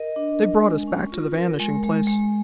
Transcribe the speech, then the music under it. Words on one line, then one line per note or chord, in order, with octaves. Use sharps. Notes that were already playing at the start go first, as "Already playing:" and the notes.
They brought us back to the Vanishing Place.
Already playing: A#4 D#5
D4
A#4
G#3
C#4
F4
A#4
G#3
G#3
G#3